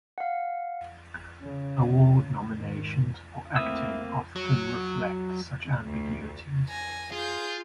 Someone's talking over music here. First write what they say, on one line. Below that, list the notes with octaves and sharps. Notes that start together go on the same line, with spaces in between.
Award nominations for acting often reflect such ambiguities.
F5 F#5
C#3
G#2 D#3
A3 A#3 C4 E4 D#6 E6
F#3
D2
G#5 A#6
F4 G#4 G6